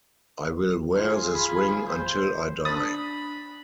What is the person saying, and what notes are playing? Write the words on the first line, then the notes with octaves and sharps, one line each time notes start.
I will wear this ring until I die.
F4 G#4
B5
C5
D4 B5 D#6 A6